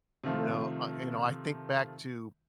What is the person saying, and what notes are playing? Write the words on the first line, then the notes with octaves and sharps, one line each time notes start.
You know, uh, you know, I think back to
C3 D#3 F3 A3 F4